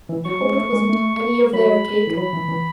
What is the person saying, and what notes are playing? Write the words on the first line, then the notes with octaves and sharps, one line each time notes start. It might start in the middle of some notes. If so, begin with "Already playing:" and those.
I hope it wasn't any of their cake.
E3
F#3 C#6
G#3
A3
G#3
A3
F#3 B5
E3
F#3 B5
E3
E3